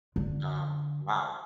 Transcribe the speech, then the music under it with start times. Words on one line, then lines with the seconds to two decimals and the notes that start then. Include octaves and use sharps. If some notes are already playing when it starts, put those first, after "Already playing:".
Um, wow.
0.16 D3